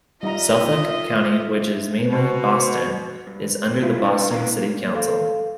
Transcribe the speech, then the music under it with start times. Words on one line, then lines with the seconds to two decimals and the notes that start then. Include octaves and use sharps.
Suffolk County which is mainly Boston is under the Boston City Council.
0.23 G3 D#4 F4 D#5 E5 A#5
2.10 B2
3.27 G2
3.81 D2 A#2 F3 E4 F4 E5
4.04 D4 B4 D5
4.31 C#4 E4 B4 F5 A#5
4.58 A#3
4.95 A4 F5